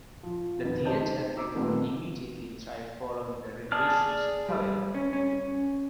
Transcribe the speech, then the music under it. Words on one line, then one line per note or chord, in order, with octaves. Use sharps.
The Theatre did not immediately thrive following the renovations, however.
F3
F2 B2 D#3 B3 C4
G4 C5 D#5 A5 G6
D#4
A#5 D6 E6
A#2 D#3 G3 A3 B3 C4
G#4 D5 A5 F6
G3
C#4
C#4